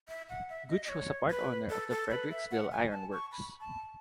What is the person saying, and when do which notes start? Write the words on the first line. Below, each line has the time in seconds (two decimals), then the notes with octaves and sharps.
Gooch was a part owner of the Fredericksville Ironworks.
0.08 E5
0.29 F#5
0.49 E5
0.69 D#5
0.85 D#5
0.89 C#5
1.30 B4
1.70 A4
1.90 A4
2.11 B4
2.31 E5
2.51 F#5
2.72 G#5
2.92 A5
3.12 C#6
3.32 B5
3.60 A5